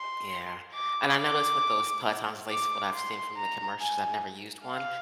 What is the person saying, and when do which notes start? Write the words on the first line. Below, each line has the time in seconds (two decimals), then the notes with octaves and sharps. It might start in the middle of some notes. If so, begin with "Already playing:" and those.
Yeah, and I noticed with those pelotons, at least what I've seen from the commercials, I've never used one.
Already playing: C6
0.75 D6
1.19 D6
2.49 D6
2.93 C6
3.37 A#5
3.80 G#5
4.67 F5